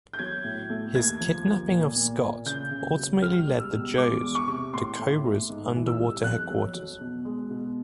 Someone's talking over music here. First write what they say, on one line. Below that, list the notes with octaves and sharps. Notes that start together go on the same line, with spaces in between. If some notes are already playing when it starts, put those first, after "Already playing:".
His kidnapping of Scott ultimately led the Joes to Cobra's underwater headquarters.
G6
F#3 G#6
A2
A3
D#2 G#6
F3
D#2
A#2
A#2
A#2
C#3 G6
C#3
F#3
C#2 F6
G3
E6
B2
G#3 D6
E2
C#6
C3
A2 C6
A2
A3
G#2
E3
E6
G3
F2 F#6
F#3
F#3
B2
G#3
B2